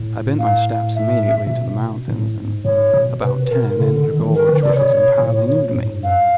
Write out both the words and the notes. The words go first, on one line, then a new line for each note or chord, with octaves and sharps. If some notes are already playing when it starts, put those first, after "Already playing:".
I bent my steps immediately to the mountains, and, about ten, entered a gorge which was entirely new to me.
Already playing: A2
F5
E5
A#2
B2
A2
G#2
G#2 C#5
B2
C3 B4
B2 A#4
C#3 A4
D3
D#3
D#3
E3
D#3 A#4
D3 B4
C#3 D5
C3 C#5
B2
A2
A#2
G2
A2
G#2
G2
F#2 F5